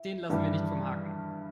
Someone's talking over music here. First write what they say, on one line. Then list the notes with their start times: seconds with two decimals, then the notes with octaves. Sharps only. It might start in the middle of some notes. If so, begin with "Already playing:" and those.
Den lassen wir nicht vom Haken.
Already playing: E4
0.30 G2 E3 G3